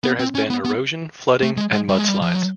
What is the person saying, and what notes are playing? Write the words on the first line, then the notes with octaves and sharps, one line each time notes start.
There has been erosion, flooding and mudslides.
B3
C4
C#4
B3
B3
A3
G#3
G#3
G3
G#3
G3
F3
F#3